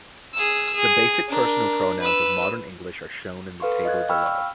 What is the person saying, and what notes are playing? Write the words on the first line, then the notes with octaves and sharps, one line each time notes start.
The basic personal pronouns of modern English are shown in the table below.
G#4 E6
G#4
D4 A#4
B4 E6
A4 B4 F5 C6 C#6
D#5 F5 F#6 G#6
F5 G5 B5 C#6 E6 F6